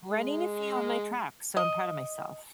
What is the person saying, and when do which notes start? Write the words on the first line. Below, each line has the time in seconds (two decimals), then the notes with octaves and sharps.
running a few on my track, so, I'm proud of myself.
0.11 G#3
1.57 D#5